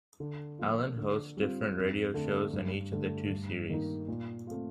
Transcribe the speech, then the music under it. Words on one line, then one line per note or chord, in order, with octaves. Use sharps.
Alan hosts different radio shows on each of the two series.
D3
F3 A#3 F4
D3
G3 C4 F4
F2
D3 A3
G2
D3 A3
G2
D#3 A#3 D#4
A#2
A3 C4 F4